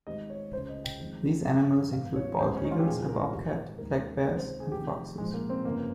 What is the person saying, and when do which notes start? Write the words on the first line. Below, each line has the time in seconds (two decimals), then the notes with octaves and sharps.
These animals include bald eagles, a bobcat, black bears and foxes.
0.07 G#1 G#2 G3 D#5
0.30 C#5
0.53 C#2 C#3 G#3 C5
0.69 D#5
0.84 G5
1.00 F2 D#3 G#3
1.46 G1 F2 C#3 G3
1.93 G#1 G2 G3 F5
2.16 C#5
2.39 C#2 C#3 G#3 C5
2.57 C#4
2.64 D#4
2.71 F4
2.79 G4
2.85 C2 A#2 F3 G#4
3.09 A#4
3.32 G#1 G#2 G3
3.78 D#2 D#3 G#3 A#4
4.02 A#4
4.25 C#2 C3 D#3 G#3 A#4
4.37 C5
4.60 G#4
4.72 F1 F2 D#3 G4
5.18 A#1 G#2 F3 G#3
5.34 A#3
5.50 C4
5.65 G1 F2 C#3 A#3